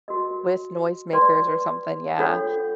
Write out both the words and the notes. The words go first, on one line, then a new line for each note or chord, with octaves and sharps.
With noisemakers or something, yeah.
F#4 A#4 D#5
B4 D5 G5 C6
D4 F4 A4 C#5 F#5